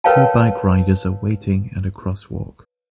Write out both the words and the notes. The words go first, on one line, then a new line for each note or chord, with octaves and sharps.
Two bike riders are waiting at a crosswalk.
A#4 B4 C#5 F5 G5 A5